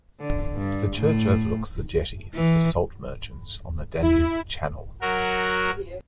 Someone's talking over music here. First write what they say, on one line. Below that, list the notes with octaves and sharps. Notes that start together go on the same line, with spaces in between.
The church overlooks the jetty of the salt merchants on the Danube channel.
D3
G2
A2
E3
E4
F#3 F#4 A#4